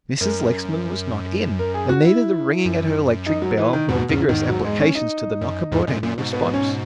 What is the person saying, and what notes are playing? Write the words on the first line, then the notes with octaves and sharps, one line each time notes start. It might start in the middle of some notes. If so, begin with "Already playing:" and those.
Mrs. Lexman was not in and neither the ringing at her electric bell nor vigorous applications to the knocker brought any response.
F#2 A#4
A#4
G#4
F#4
E4
F#2
D#4
F#3
E3
D#3
E2 G#2 B2
E2 G#2 C#3
E2 G#2 D#3
F#3
G#3
C#4
D#4
F#2
E2 G#2
F#2 A#2
F#2 A#2
G#2 B2
B3
C#4